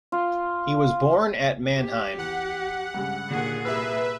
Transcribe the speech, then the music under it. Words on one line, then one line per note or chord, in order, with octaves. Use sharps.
He was born at Mannheim.
F4
G4
E2 F#5
G2 C#3 G#3
D#2 A#2 D3 G#4
C2 B4 E5 E6